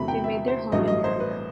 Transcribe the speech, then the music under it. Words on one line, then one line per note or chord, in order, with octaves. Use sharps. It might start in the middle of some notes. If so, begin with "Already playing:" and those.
They made their home in Nuremberg.
Already playing: E2 C3 F#3 A3 B5
G5
E5
C5
A1 G2 F#3 A3 D#5
D#5
C5
B4